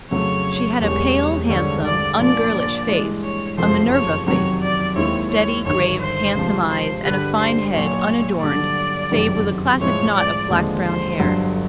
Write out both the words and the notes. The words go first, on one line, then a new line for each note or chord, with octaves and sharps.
She had a pale, handsome, ungirlish face--a Minerva face--steady, grave, handsome eyes, and a fine head, unadorned, save with a classic knot of black brown hair.
F2 C#3 F#3 A3 C#5
E1 E2 B2 G3 C#5
G#1 G2 D3 C#5
D5
A#2 F3 A#3 D4 D5
G2 E3 G#3
C#5
F#1 F2 C3 F3 A3 C5
C#5
F2 C3 D#3 F#3 C#5
D5
D#2 D#3 G#3 C4 E4 C#5
C#5
G1 G2 D#3 C#5
C5
C#2 C3 F3
C5
G2 D3 G3 B4
C5
B1 A#2 F#3 A#3 C#5
G2 D3 F#3 D5
F#1 F2 C3 D#3 F#3
A2 F3 G#3 C4 E4 C#5
D5
D#2 D3 F3 G#3 C4
C5
G1 G2 D3 F#3